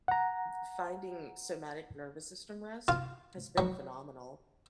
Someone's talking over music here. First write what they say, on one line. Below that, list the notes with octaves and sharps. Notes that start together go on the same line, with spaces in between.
F finding somatic nervous system rest has been phenomenal.
F#5 A#5
F4
F#3